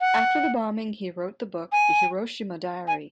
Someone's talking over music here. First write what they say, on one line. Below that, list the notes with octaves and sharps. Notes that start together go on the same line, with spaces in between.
After the bombing he wrote the book The Hiroshima Diary.
F#5
G#5
G#5